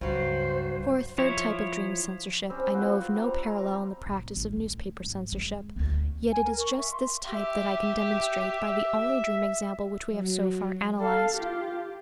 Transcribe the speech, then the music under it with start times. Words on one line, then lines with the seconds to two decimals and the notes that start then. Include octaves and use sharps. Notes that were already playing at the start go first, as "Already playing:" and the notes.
For a third type of dream censorship I know of no parallel in the practice of newspaper censorship, yet it is just this type that I can demonstrate by the only dream example which we have so far analyzed.
0.01 C#2 G2 F#3 C5
1.18 F3 E4 C#5
2.50 G3 C4 C#4 E6
2.73 B3 C4 F4 F#4
3.15 G3 C4 A#5
3.46 A#5
4.06 A#2
4.36 A1 A2
4.53 D2
5.04 G#1
5.33 G#3
5.76 D2 B3
6.32 G#5
6.44 A#4
6.60 C#6
6.78 E5
6.91 C6
7.28 G4 E5
10.09 F#3
10.99 A4 F5
11.35 F4 G4